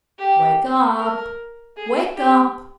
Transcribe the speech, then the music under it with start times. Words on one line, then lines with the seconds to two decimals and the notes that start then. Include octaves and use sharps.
"Wake up! Wake up!"
0.19 G4
0.98 A#4
1.76 G#4
2.16 G4